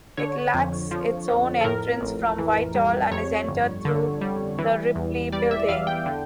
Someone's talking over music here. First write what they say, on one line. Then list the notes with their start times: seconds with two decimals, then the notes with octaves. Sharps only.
It lacks its own entrance from Whitehall and is entered through the Ripley Building.
0.17 D3 C#5
0.54 F2
0.91 F3
1.28 F2
1.61 A4
1.64 A2 A#4
2.01 A1
2.38 E3
2.75 G3
3.11 F2 C#5
3.48 G1
3.85 D3
4.21 G3
4.59 E3
4.95 E2
5.32 G3 D5
5.51 E5
5.68 E2 F5
5.87 G5
6.06 D3